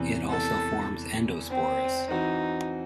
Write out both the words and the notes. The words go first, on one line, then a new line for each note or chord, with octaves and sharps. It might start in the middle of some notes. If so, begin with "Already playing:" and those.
It also forms endospores.
Already playing: E2 C3 E3
A4
C4
E3 C4 D#4 F#4